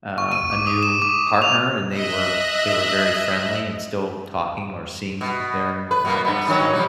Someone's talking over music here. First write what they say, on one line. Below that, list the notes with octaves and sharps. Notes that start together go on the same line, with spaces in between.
uh, a new partner and they were they were very friendly and still talking or seeing their their ex-lover?
C#6
D#7
D6
D#6
E7
D6
F7
D#5 E5 F#6
B2
B4
B2 A#3
G2 B3
D#3 F#3 C#4
F3 G3